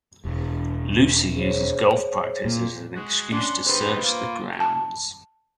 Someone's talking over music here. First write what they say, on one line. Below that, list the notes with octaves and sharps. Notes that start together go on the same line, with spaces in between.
Lucy uses golf practice as an excuse to search the grounds.
E1
G#4 C5 C#5
A#2
G#3 F#4
C#4 D4 F#5 C6
G3 B3 C4 B4 C5
A#3 F4
A5